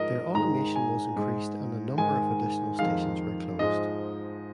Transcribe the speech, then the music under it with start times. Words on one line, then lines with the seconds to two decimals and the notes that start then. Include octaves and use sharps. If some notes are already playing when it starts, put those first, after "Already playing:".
Their automation was increased and a number of additional stations were closed.
Already playing: G#2 F3 G#3 A#4 D#5
0.35 G#2 D#3 G#3 A#5
0.76 G#5
1.16 G#2 G#3
1.98 G#2 D#3 G#3 G#5
2.79 F2 D#3 G#3 F5
3.59 G#2 F3 G#3 D#5